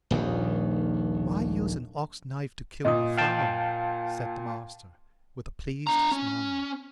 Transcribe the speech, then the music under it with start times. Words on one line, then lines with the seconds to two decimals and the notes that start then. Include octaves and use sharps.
Why use an ox-knife to kill a fowl? said the Master, with a pleased smile.
0.11 D#1 A#1 D#2 D#3
2.85 A#2 D#5 D6 D#6
3.18 F5 G5 A5
5.87 D4 A#5
6.11 C#4